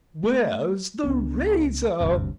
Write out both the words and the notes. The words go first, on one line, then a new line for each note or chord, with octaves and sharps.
"Where's the razor?"
A3
C#2 B3 D4
F#1 D2 G2 C3